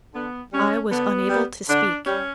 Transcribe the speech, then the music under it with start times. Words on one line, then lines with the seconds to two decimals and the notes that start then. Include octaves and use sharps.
I was unable to speak.
0.15 D3 B3
0.53 G3 C#4
0.91 D3 B3
1.30 G3
1.69 D3 D4
2.06 G3 C#4